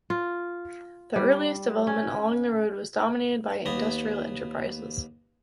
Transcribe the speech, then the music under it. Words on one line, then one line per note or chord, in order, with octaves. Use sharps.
The earliest development along the road was dominated by industrial enterprises.
F4
G3
C#4
D#2 B3 A#5